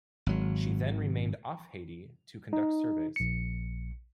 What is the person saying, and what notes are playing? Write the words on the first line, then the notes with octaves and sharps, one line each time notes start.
She then remained off Haiti to conduct surveys.
G#1 F#3
D#4
A#1 C#7